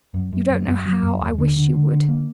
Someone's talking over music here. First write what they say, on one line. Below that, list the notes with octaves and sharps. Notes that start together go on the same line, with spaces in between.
'You don't know how I wish you would.
F#2
F#2
F#2
F#2
F#3
F#2
D#2
D3
D3
D3
D3
A#3